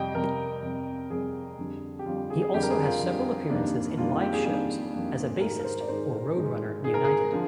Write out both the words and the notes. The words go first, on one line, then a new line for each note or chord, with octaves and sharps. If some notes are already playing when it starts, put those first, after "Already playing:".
He also has several appearances in live shows as a bassist for Roadrunner United.
Already playing: F2 C3 G3 D#5 G5
F2 C3 G3 A#4
F2 C3 G3
F2 C3 G3 G#4
F2 D3 G3
G4
F2 D3 G3 F4
G4
G#4
G#4
F2 D3 G3 G4
A#4
G#4
F4
F2 D3 G3
F2 D#3 G3 A#3 D4
F2 D#3 G3 A#3 D4 F4
F4
G4
G#4
F2 D#3 G3 A#3 D4 G#4
F2 D#3 G3 A#3 D4
G#2 D#3 G#3 A#4
A#4
C5
D5
G#2 D#3 G#3 C5
G#2 D#3 G#3
G#2 D#3 G#3 G#4
A#4
G#4
D3 F3